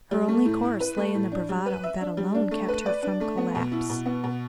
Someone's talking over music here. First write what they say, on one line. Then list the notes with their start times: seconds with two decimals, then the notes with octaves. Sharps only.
Her only course lay in the bravado that alone kept her from collapse.
0.11 G3
0.28 A3
0.45 A2
0.63 E4
0.80 B4
0.97 A3
1.14 A2
1.32 D4
1.49 G3
1.66 B4
1.84 E5
2.01 D4
2.17 G3
2.35 D4
2.51 A3
2.69 B4
2.86 D5
3.03 D4
3.21 A3
3.37 B3
3.55 B2
3.72 E4
3.89 B2
4.06 B3
4.24 B2